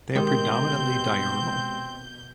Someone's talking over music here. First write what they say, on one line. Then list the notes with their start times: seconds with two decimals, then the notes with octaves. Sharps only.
They are predominantly diurnal.
0.15 B2 D#3 G#3 C4 G4 G6